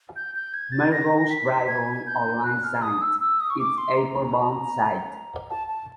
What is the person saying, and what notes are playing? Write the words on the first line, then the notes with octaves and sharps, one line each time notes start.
Melrose Drive runs alongside its airport-bound side.
G6
G6
G#6
A6
A#6
B6
G#6
G6
F#6
F6
D#6
E6
E6
D#6
C#6
D6
C6
A#5
A5
A5